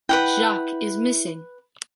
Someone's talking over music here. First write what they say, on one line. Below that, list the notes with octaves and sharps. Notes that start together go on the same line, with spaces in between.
Jacques is missing!
E4 B4 F#5 G5